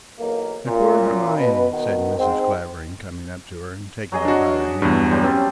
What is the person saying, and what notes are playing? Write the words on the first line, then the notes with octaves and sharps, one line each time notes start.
"My poor Hermione," said Mrs. Clavering, coming up to her, and taking her by the hand.
B1 E2 A#3
F#2 A#2
B2 B4
B2 D#3
G#2 C4
F#3 G#4 D#5
D4 F#4
E2 G2
F#3 G3 C5
C4 C#4 A5